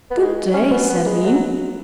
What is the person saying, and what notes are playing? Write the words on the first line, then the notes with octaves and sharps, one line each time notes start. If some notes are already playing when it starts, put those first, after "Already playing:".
"Good day!" said he.
B3
G#3
C#4
B3
B3
G#3
F#3